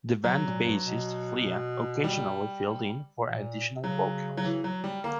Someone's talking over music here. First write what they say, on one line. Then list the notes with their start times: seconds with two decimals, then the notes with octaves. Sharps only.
The band's bassist Flea occasionally filled in for additional vocals.
0.24 C#3 F#3
0.44 A#2
0.64 G2
0.84 B2
2.04 G3
3.24 A#2
3.84 C#3 F#3
4.37 F#3
4.45 E3
4.64 F#3
4.84 G3
5.04 D3 A#3